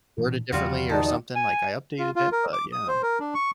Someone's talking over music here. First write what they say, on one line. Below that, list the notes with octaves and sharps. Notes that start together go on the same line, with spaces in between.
worded differently or something, like, I updated it, but yeah.
A#2 E3 D4
E2 C#3 F3 G3 F4 F#4
D#3 D#4 D5 A5
G#5
F4
F4
A#4
D6
D#6
C5
A#4
D4
C#6